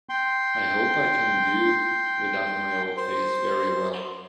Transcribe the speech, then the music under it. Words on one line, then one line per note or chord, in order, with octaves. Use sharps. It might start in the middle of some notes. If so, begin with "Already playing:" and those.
I hope I can do without my old face very well.
G5 C6
C5